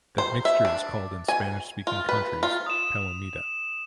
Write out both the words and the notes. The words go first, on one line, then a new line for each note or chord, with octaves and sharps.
That mixture is called in Spanish speaking countries "palomita".
C5
E5
D4
G#5
F4
B4
F4
D#6 E7